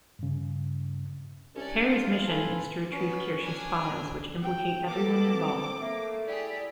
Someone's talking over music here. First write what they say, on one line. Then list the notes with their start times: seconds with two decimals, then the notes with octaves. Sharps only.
Terry's mission is to retrieve Kirsch's files, which implicate everyone involved.
0.19 G2 C#3
1.55 C2 C#4 D4 D5
1.88 F4
2.27 F3 A4 B4 G#5
2.92 B3 C#4 B4
3.42 D4 G#5
4.41 G5
4.88 A#3 B3 A4 D6
5.32 C4
5.80 A3 A#3 E5
6.26 E4 G4 G#4 D5